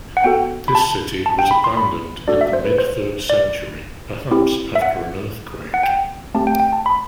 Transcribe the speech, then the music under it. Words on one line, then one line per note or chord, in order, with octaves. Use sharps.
This city was abandoned in the mid-third century, perhaps after an earthquake.
F#5
B3 F#4 A4 G5
B5
A5
A5
G5
B5
C6
B5
A3 D4 F#4 A4 D5
E5
C5
B4
C5
D5
C4 E4 G4
E5
F#5
F#5
G5
A3 C4 G4 A5
G5
G5
A5
B5